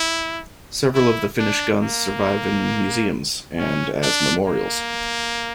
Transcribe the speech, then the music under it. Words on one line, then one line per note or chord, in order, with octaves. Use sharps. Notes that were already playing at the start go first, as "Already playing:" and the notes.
Several of the Finnish guns survive in museums and as memorials.
Already playing: E4
E4
D4
A#3
C#4
D4
A#3